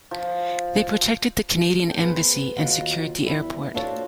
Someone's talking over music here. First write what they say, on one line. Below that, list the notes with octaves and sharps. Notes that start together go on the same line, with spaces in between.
They protected the Canadian embassy and secured the airport.
F3
A4 G5
B3 G#4 B4 C5
D#2 F4 F#4 F#5
E2 G3 E4
D4 F4 F#4 A4 C5 C#5